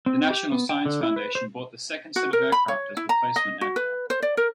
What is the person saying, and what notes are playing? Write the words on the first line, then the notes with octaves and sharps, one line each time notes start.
The National Science Foundation bought the second set of aircraft as replacement aircraft.
C4
G4
B3
G5
D3
E4
B4
C5
F#4
A#4
B5
C#5
E4
A#5
D#5
F#4
B4
C5
D5
A#4